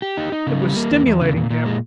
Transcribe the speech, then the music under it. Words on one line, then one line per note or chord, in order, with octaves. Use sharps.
It was STIMULATING him!
G4
D#4
D#4
C#3
G3
A#3
E2
E2
C#3
A#2
A#2
G#3